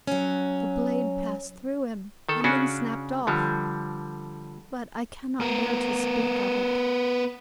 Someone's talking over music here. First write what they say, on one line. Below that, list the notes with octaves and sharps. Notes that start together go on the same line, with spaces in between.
The blade passed through him, and then snapped off--But I can not bear to speak of it.
F#3 C#4
D#3 A4
C#3 C#4 D4 F#4
D3 F3 G3
B3 A#4